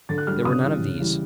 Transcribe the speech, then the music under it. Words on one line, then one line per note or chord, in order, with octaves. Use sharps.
There were none of these.
D3 A6
F#6
G3 F6
C#3 D#6
E3 G3
C#3
E3 G3